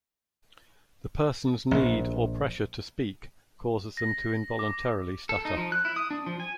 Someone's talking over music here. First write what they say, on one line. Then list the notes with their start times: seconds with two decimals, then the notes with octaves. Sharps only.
The person's need or pressure to speak causes them to involuntarily stutter.
1.71 A#1
3.97 A#6
4.19 A#6
4.59 D6
5.29 A4
5.45 D#4
5.57 F3
5.72 F#6
5.85 E4
5.96 D#6
6.11 D4
6.26 F3
6.40 G#5